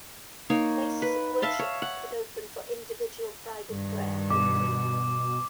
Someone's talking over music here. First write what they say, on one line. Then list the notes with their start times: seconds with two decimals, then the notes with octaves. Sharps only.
Places of worship could open for individual private prayer only.
0.50 A#3 D#4 C#5
1.02 B4
1.42 E5 F5 A5 C6
1.59 C#5
1.82 F#5
3.70 G2 D#3
4.30 B2 D6